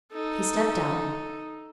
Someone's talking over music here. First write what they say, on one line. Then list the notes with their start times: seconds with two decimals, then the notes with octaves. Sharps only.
He stepped out.
0.12 D#4 A4